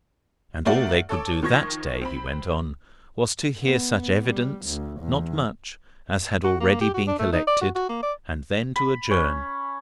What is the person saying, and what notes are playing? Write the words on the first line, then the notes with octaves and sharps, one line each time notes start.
And all they could do that day, he went on, was to hear such evidence--not much--as had already been collected, and then to adjourn.
A3 A#3 F#4 D5 F#5
A4 C#5 A5 D6
D#3 F3 C#6 G#6 A#6
C4 B5
B3
G3
D2
E2
F#4
A#3
G4
F#4
D4
A3
D#4
D5
F#4
F#4
A#3
D5
B5
C#4